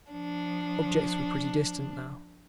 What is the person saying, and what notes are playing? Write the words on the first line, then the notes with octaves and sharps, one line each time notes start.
Objects were pretty distinct now.
F3 D4